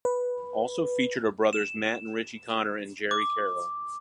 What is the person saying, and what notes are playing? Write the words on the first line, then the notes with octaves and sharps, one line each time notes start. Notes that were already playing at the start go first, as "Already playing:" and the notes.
Also featured are brothers Matt and Richie Connor and Gerry Carroll.
B4
E7
D6